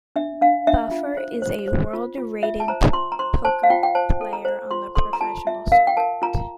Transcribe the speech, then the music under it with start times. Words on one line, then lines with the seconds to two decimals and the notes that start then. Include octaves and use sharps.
Buffer is a world-rated poker player on the professional circuit.
0.16 D4 E5
0.42 D4 F5
0.67 D4 E5
0.91 F4
1.17 C5
1.42 C5
1.68 C5
1.93 F4
2.18 F4
2.43 F4 E5
2.60 A5
2.68 C5 A#5
2.93 F4 C6
3.12 A#5
3.19 C5 C6
3.45 C5 A5
3.63 F5
3.70 F4 G5
3.83 G5
3.95 C5 A5
4.21 A4
4.33 A#5
4.45 C5
4.71 F4 C6
4.95 A4 C6
5.13 A#5
5.21 F4 A5
5.47 F4 E5
5.72 A#4 F5
5.87 G5
5.97 A#4 A5
6.22 F4 A#5